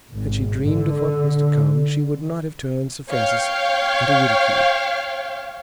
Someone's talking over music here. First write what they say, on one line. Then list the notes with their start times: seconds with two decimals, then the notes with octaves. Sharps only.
Had she dreamed of what was to come she would not have turned Sir Francis into ridicule.
0.12 G#1
0.63 D3
3.09 C#5 F5 G5